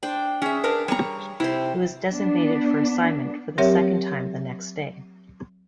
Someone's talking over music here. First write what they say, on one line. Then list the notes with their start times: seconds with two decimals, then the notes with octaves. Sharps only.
He was designated for assignment for the second time the next day.
0.03 D4 C5 G5
0.42 C#4 G#4 E5
0.64 D4 A#4 B4
0.88 G3 C#5 A#5 C#6
1.40 C3 E4 C5
2.12 B3 D4
3.58 F#3 C4 G4 A#4 C#5 E5